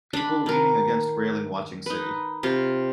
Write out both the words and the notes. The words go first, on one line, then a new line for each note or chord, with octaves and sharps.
People leaning against railing watching city.
D4 B5
D#3 A#4
D#4 B4
C3 F4